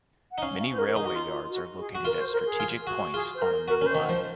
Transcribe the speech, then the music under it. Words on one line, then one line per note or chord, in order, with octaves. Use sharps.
Many railway yards are located at strategic points on a main line.
F#5
D#4
C#4 F5
F5
C5
A#4
D#4 G#4
F#4
F4
F4
F#4
G#4
F#4
F4 A#4
C5
A#4
G#4
F4
F#4
F4 G#4
C5
A#4
F#4 A#4
C#4 A#4 C5
D#3
F#5
F3